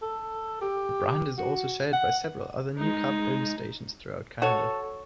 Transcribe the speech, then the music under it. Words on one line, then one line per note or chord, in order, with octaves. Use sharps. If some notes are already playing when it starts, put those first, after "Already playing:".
The brand is also shared by several other NewCap-owned stations throughout Canada.
A4
G4
F#4
F#5
G#3 D#4
F#4 A4 C#5